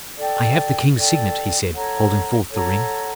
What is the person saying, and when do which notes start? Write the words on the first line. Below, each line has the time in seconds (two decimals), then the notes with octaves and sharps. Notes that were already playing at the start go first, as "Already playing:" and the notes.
"I have the king's signet," he said, holding forth the ring.
0.19 A4 D5 G5
0.97 A4 D5 G5
1.73 A4 C#5 F#5 A#5
2.50 A4 C#5 F#5 A#5